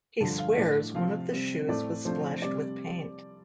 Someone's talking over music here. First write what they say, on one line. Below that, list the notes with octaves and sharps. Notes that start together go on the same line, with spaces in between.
He swears one of the shoes was splashed with paint.
G2 D3 F3 A5
F5
A2 A3 D4 D5
C3 F3 C4 F5
C3 G3 C4
A2 A3 C4 D5
C3 F3 A3 D4 C5
C3 G3 C4 D5